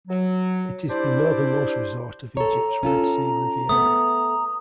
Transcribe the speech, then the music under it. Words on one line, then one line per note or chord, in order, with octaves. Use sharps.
It is the northernmost resort of Egypt's Red Sea Riviera.
F#3
D4 E4 G4 C5 D5
A4 C#5 A#5
C#4 F4 A4
A3 B3 D#6